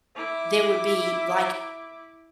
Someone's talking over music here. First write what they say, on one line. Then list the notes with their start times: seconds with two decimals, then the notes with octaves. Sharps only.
there would be, like,
0.16 E4 D6